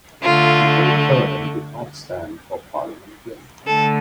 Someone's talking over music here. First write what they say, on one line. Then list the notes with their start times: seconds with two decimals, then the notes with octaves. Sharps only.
He came third and did not stand for parliament again.
0.22 D3 A3 F4
3.66 D3 A3 A4